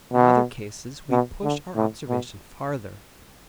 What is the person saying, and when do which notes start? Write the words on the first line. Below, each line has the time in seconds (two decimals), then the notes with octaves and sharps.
In other cases we push our observation farther.
0.13 B2
1.11 B2
1.44 D3
1.76 A2
2.09 B2